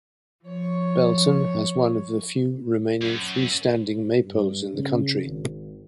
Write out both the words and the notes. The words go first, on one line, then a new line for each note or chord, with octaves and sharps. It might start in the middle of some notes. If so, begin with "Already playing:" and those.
Belton has one of the few remaining free-standing maypoles in the country.
F3 C#5
F#2
G2
C#3
G#1